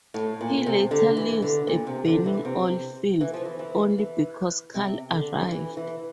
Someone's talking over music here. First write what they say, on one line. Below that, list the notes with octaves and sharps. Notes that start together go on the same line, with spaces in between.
He later leaves a burning oil field, only because Carl arrived.
A2
A#2
C3
D3
E3
D3
A#2
C3
D3
E3
C3
E3
F3
E3
E3
E3
C3
D3
E3
E3